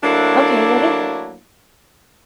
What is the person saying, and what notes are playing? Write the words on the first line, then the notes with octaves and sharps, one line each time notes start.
Okay, what is it?
F#3 A3 A#3 D4 E4